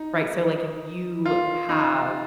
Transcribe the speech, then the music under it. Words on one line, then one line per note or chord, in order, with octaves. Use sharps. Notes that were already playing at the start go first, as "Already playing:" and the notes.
Right, so, like, if you have
Already playing: D#4
F4
D#4